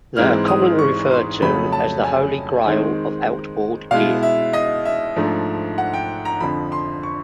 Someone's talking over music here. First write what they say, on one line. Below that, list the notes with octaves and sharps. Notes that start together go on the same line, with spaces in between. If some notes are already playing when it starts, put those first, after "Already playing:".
They are commonly referred to as the "holy grail" of outboard gear.
G#2 E3 G#3 C4 F6
D#6
C#6
C6
F2 C#3 F#3 A3 B5
A5
G#5
D#3 G#3 C4 D#4
B2 G#3 B3 E4 F5
E5
D#5
E5
G#2 F3 A3 D4
F#5
G5
A#5
F2 D3 F3 B5
C6
C#6